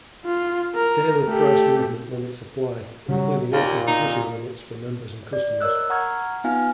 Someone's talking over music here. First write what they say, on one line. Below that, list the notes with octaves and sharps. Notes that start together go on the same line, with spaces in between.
Daily price movement limits apply, including open position limits for members and customers.
F4
A#4
A3 G4
C#3 F#3 G3
D#2 A#2 F5
D#4
D5
A#4 C#5 D#5 E6 F#6
F#5 A#5 C#6 D#6 F6 G#6
B3 D#4 F4 F5 G#5 F6